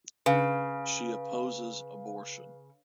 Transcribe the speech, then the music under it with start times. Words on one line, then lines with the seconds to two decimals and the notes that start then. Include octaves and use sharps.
She opposes abortion.
0.26 C#3 B4 F5